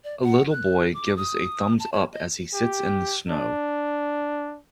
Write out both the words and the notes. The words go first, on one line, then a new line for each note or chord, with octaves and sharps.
A little boy gives a thumbs up as he sits in the snow.
D5
F#5
F#6
D6
D#6
A5
C#5
D#5
G4
D4